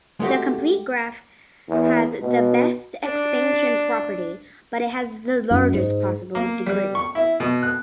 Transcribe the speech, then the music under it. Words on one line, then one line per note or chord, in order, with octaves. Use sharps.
The complete graph has the best expansion property, but it has largest possible degree.
G#3 A3 F#4 G4
E2
B2
D4
F#2
G#2
A#3
G3
C#6
E4
B2
F#6